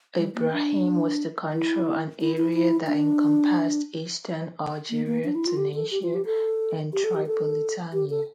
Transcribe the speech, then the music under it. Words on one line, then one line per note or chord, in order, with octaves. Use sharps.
Ibrahim was to control an area that encompassed eastern Algeria, Tunisia and Tripolitania.
G3
A#3
D4
E4
E4
E4
E4
D4
A#3
A#3
D4
E4
F4
G4
A4
G4
F4
G4
A4
G4
A4
G4
A4
G4
A4